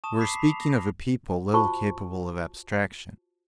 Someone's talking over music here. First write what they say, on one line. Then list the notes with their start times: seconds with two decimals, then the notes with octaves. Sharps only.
We are speaking of a people little capable of abstraction.
0.04 A5 C#6 D#6 E7
0.19 B5 D6 B6 C7
0.40 B5 F7
0.60 A#6
1.54 F4 F#4 C5 A5 C#6